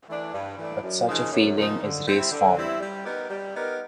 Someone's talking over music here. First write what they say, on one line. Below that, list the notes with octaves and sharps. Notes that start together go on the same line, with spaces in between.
But such a feeling is race-forming.
E3 A3 D4
G2
E3 A3 D4
F#2
C#3 F3 A#3 D#4
F#2
C#3 F3 A#3 D#4
D3
G3 C4 E4
D3
G3 C4 E4
G3
B3 D#4 G4 A#4
G3
B3 D#4 G4 A#4